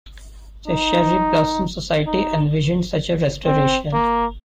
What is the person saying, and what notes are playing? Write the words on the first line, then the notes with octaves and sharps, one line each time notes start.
The Cherry Blossom Society envisioned such a restoration.
D#4
D#4
C4
A#3